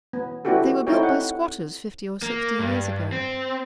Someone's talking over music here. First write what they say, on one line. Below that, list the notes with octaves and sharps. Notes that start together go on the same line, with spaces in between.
'They were built by squatters fifty or sixty years ago.
B3
B3 D4 E4 F#4 G4 A4
C4 D#4 E4 A4 C#5 G5
F#5
A#3
G2
C4